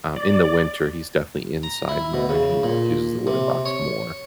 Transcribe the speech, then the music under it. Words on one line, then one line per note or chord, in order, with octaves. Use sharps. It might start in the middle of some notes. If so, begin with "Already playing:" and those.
Um, in the winter, he's definitely inside more, and he uses the litter box more,
D5
A#5
E4
B2
C#3
A#2
C3
C#5